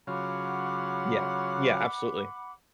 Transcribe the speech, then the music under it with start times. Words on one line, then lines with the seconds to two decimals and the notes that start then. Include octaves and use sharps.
Yeah, yeah, absolutely.
0.07 C#3 F#3 F4 F#5 B5 D6